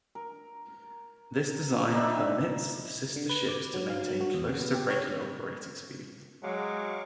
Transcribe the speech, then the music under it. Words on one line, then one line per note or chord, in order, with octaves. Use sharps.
This design permits the sister ships to maintain close to regular operating speed.
A#4
D4 D#4 E5 B5
D3
B4
D6
F#3
F5
F#3
F#4
E2
C#3
B3
G4
C#5
F#3 G#3 F5 C#6 D6